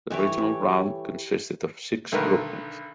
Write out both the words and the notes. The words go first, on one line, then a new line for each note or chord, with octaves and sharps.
The regional round consisted of six groupings.
E3 A3 G4 C#5
B1 D3 D#3 A3 A#4 B4